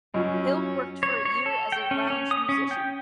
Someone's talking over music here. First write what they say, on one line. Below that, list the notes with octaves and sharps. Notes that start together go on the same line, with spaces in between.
Hille worked for a year as a lounge musician.
F#2 C#4 F4 D#5
C#5
C#5
A4
G5
C#4
C#4
D#6
C#4
G5